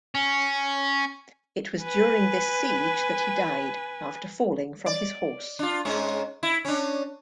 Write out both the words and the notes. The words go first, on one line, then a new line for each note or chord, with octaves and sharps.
It was during this siege that he died, after falling from his horse.
C#4
B4 G#5
D5
D4 F4
G#2 G#3 C#4
E4
C#4 D4